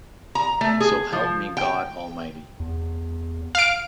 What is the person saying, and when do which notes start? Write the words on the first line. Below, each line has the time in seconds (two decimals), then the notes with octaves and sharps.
So help me God almighty.
0.35 A#5
0.61 A3
0.80 G#4
1.12 F3
1.57 G5
2.60 E2
3.55 F5 D7